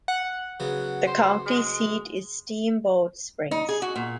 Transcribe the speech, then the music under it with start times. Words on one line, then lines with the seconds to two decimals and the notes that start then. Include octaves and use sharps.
The county seat is Steamboat Springs.
0.08 F#5
0.60 C#3 F#3 B3
1.07 C5
1.46 G#3
3.51 D#4
3.69 G#4
3.82 F#4
3.96 A#2